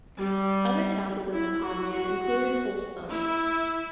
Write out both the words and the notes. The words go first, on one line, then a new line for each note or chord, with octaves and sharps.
Other towns within the commune included Holzthum.
G3
E4
F#4
F#4
E4